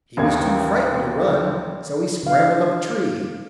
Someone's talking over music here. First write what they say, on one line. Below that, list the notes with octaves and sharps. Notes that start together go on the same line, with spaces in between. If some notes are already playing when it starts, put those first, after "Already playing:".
He was too frightened to run, so he scrambled up a tree.
A1 D#2 A#3 G#6
D3 F5